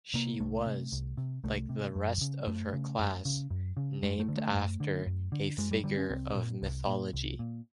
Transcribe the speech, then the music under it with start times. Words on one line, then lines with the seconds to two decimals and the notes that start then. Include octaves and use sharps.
She was, like the rest of her class, named after a figure of mythology.
0.14 C3 A#3
0.40 C2 A3
0.66 C3
0.92 C2
1.17 C3
1.44 C2 A3
1.69 C3
1.96 F#2
2.21 C#3
2.47 F#2 A3
2.73 C#3
2.99 F#2
3.25 C#3
3.50 F#2
3.77 C#3
4.03 F#2 G#3
4.20 A3
4.28 D3
4.37 A3
4.54 F#2
4.80 D3
5.06 F#2
5.32 D3
5.58 F#2 G#3
5.71 G3
5.84 D3 G3
5.97 C#4
6.09 C2 C4
6.35 A#2
6.62 C2
6.87 A#2
7.13 C2
7.39 A#2